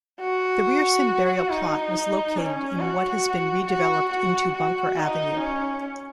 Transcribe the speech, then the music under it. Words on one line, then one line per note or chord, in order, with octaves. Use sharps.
The Rierson burial plot was located in what has been redeveloped into Bunker Avenue.
F#4
D#4
C#4
F#4
F#4
F#4
F#4
D#4
C#4